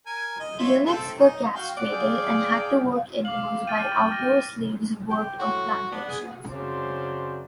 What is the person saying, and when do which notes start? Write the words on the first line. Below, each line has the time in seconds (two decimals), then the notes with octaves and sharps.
Eunuchs were castrated and had to work indoors while outdoor slaves worked in plantations.
0.06 A#4 G#5
0.40 D#5
0.59 F4 C#5 E5
0.86 A3 C4 A4
1.18 D#4
1.55 F#4 F5 G5
1.77 D5 F#5
1.92 G#4 F5 G5
3.25 F5 D6 F#7
3.67 G5 F6 A6 D#7
4.11 F6 A#6
5.11 G4
5.39 A2 F#4
5.92 B3 D4
6.09 G#4
6.50 F#2 C#3 C4 C5 D5